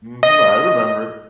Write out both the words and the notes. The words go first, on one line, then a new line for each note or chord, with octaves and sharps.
Mhm, I remember.
D#5